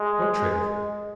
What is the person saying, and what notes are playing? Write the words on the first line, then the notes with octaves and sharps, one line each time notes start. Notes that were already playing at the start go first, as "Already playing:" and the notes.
"What trick?"
Already playing: G#3